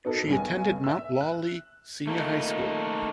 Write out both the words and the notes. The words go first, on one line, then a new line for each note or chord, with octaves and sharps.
She attended Mount Lawley Senior High School.
B3 D#4 F#4 A4 A#4
B1 G2 G#5
E5 E6
F#6
A3 A#3 D#4